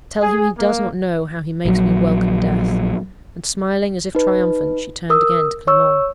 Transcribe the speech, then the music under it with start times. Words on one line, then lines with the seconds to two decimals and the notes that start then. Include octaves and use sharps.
'Tell him he does not know how he makes me welcome death.' And smiling, as if triumphant, she turned again to Clement.
0.22 G#4
0.58 A#3
1.65 A#1 F#3
4.15 D#4 B4
5.10 A#4 D#6 E6
5.67 C#5 C#6 E6